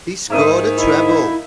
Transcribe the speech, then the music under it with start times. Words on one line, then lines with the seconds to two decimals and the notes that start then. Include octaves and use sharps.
He scored a treble.
0.30 G#2 D#3 A#3 D#4 E5 D#6
0.77 E4